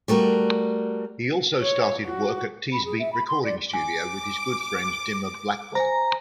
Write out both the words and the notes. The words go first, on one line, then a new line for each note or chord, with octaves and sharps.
He also started work at Teesbeat recording studio with his good friend Dimmer Blackwell.
G3 A3 F#4 A#4
C#5
F#4
B5
G#4
E5
B5
C6
D5
G#5 D6
C5 G#5 A#5